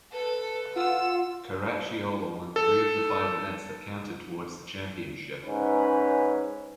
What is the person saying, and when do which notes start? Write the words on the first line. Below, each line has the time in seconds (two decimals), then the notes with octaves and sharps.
Caracciola won three of the five events that counted towards the championship.
0.12 A4 B4
0.76 F4 F#5 E6
2.56 A4
5.44 G#2 C#4 B4